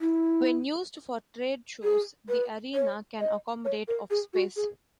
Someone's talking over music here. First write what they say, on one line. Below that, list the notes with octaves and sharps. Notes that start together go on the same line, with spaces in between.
When used for trade shows the arena can accommodate of space.
E4
G#4
B4
C#5
D#5
C#5
A#4
G#4
F#4
G#4